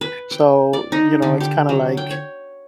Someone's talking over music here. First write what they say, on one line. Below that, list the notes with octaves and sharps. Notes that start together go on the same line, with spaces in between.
So, you know, it's kinda, like,
B4
G5
D5
D#4
D3
G4
F#3
G5
C#5